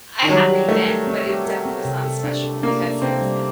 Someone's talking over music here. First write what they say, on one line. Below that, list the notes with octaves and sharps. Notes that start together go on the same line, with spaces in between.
I have an event, but it definitely was not special because it was
D#3
F#3 G3
G4
A3 A#4
A#4
C4
G4
A#4
C4
C3
A4
D4
A4
A#3 D4
D4
C3 C4
G3